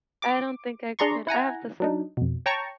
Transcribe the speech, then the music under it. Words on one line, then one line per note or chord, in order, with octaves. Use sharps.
I don't think I could. I have to sleep
D6
D4 G#4 D5 A#5 C6 C#6
E4 F#5 G#5 A#5
F#3 D4 D#4
F2 B2
C#5 G5 A5 A#5 C#6